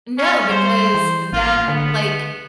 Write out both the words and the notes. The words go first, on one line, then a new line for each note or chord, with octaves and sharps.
No, because then, like
C#4
G3 C5
E3
A1 F4
D3 B3